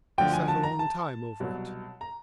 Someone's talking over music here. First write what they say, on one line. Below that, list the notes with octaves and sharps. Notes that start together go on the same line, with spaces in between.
He sat a long time over it.
D2 D3 F3 G5
G#5
A5
A#5
A5
C2 B2 F#3
A#5